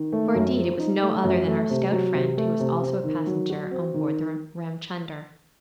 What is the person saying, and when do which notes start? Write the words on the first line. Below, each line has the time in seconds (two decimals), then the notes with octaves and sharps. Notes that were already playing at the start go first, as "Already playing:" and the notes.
For indeed it was no other than our stout friend who was also a passenger on board the Ramchunder.
Already playing: D#3
0.12 A3
0.35 F#2
0.56 F3
0.79 D#4
1.02 A3
1.24 F#2
1.47 A3
1.70 C3
1.92 F#3
2.14 C3
2.37 A3
2.60 C3
2.82 C4
3.04 D#3
3.27 F#3
3.50 F#4
3.71 C4
3.94 D#3